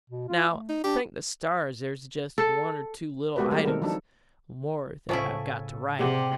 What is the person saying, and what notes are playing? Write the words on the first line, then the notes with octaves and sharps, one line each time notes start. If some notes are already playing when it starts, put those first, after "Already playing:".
Now, thank the stars, there's just one or two little items more that I've got to write.
B2
F4
A3
D#4
D4 G4
A4
G#3 B3 F#4 G4 A#4 B4
G3 A3 G4 G#4 A#4
D#3 C4 A4 A#4
F3 F#3 D4 D#4 A4
A2 C#3 E4 F4 A4 C5 G#5 A5
C3 G4 G#4 C5 D5 F#5 G5